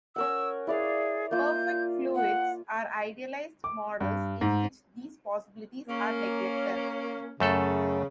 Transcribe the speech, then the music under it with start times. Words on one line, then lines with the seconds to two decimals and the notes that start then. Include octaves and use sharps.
Perfect fluids are idealized models in which these possibilities are neglected.
0.16 C#4 A#4 F#5 E6
0.67 E4 G#4 D5 F5
1.31 A#3 F4 G6
2.15 F#5
3.64 D6
4.00 G2
4.41 G#2
5.88 A#3 C#4
7.40 F#2 C#3 A3 A4